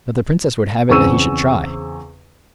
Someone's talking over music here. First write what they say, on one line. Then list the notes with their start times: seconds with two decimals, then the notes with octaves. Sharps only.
But the princess would have it that he should try.
0.89 E2 C#3 C4 C#6 E6 D#7